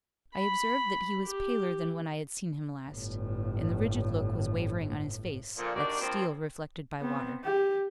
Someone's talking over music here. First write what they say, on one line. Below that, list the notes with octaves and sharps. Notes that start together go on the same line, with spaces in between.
I observed that he was paler than when I had seen him last, and the rigid look was wavering on his face, like steel reflected by water.
B5
G4
G1 A2
A#2 D3 F3
D#3 G3 A#3 D4 F#4 D5
G2 F3 A#3 C4
B3 C4
G4